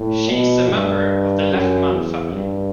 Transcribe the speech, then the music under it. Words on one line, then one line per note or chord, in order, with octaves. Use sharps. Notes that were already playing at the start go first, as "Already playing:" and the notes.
She is a member of the Lehman family.
Already playing: A2
B2
G2
F#2
E2
G2